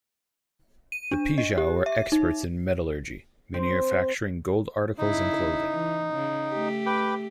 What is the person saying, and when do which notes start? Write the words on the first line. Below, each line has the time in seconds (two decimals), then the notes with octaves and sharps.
The Pijao were experts in metallurgy, manufacturing gold articles and clothing.
0.92 D#7
1.11 D4
1.38 D#5
1.58 G4
1.86 E5
2.12 D#4
3.54 C4
4.98 C#3 D#4 E4
5.72 E3
6.13 C#3
6.49 A3 G4
6.86 B4 G5 D6